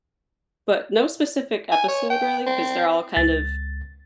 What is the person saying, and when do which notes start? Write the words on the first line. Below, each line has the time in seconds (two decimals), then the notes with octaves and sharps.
But no specific episode really, 'cause they're all kind of
1.72 G#5
1.88 C#5
2.10 G5
2.47 C4
3.17 C#2 A6